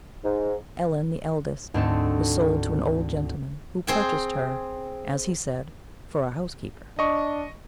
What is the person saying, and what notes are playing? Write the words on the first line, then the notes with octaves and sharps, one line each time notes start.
Ellen, the eldest, was sold to an old gentleman, who purchased her, as he said, for a housekeeper.
G#2
D2 G#2 C4 A4
C4 G#4 G5
D4 D#5 C#6